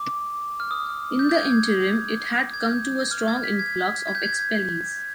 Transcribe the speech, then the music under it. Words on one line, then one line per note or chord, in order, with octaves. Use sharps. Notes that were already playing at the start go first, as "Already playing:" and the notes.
In the interim it had come to a strong influx of expellees.
Already playing: D6
F6
D#6
G6
G6
G#6
G#6
G#6
G6
F6
G#6
B6
G#6
G#6
G6
G#6